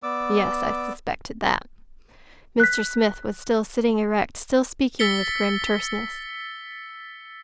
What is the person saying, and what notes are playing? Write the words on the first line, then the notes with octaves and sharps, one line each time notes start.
"Yes, I suspected that." Mr. Smith was still sitting erect, still speaking with grim terseness.
B3 D5 D6 E6
F#6 B6
E6 A6 B6 C#7 G7